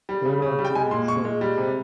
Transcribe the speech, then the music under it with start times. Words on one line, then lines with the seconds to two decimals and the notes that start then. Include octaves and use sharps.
Bernhard Junior said.
0.09 G3
0.25 C#3
0.42 C#3
0.59 G3
0.65 G5
0.75 G#3 G#5
0.91 A#2 C6
1.08 A#2 C#6
1.25 G#3
1.41 G3
1.58 C3